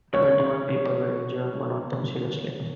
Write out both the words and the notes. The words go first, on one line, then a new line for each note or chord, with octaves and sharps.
Twenty-one people were injured, one of them seriously.
C#5